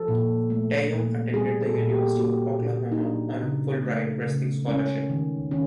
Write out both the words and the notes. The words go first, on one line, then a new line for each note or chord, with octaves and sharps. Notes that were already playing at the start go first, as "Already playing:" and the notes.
Teyon attended the University of Oklahoma on a full ride wrestling scholarship.
Already playing: F3 A4
A#2
A3
A#2
G3 G#4
A4
A#2
G4
A#3 F#4
A#2
D#4
F#3 D4
C#3
A3
C#3
G#3 C#4
D#3
D#3 C#4